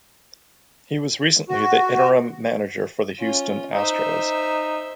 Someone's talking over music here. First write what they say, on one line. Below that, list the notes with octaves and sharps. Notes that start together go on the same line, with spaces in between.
He was recently the interim manager for the Houston Astros.
F#4
C#4 F4
D#4 C5 E5